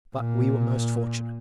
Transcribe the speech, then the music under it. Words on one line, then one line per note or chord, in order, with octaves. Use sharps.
But we were most fortunate.
A#2